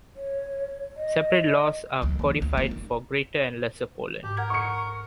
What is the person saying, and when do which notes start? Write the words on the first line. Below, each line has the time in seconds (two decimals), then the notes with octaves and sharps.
Separate laws are codified for greater and lesser Poland.
0.16 C#5
0.97 D#5
2.02 D2 F#3
2.19 E3 A#3
2.42 D2
2.57 A#3 F4
2.71 D#4
4.24 G#2 G4
4.37 A#4 F#5 G#6
4.50 C#6 C#7